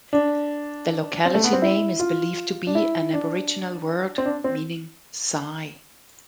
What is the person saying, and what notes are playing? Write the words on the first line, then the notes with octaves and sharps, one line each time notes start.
The locality name is believed to be an Aboriginal word meaning ‘sigh’.
D4
C4
A3
B3
C4
E4
F4
D4
E4
D4
C4
D4
C4